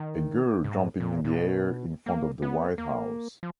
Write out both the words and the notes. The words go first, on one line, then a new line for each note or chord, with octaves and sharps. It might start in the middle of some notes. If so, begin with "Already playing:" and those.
A girl jumping in the air in front of the White House.
Already playing: D#3
G#2
A#2
A#2
B2
A#3
B3
A#3
F3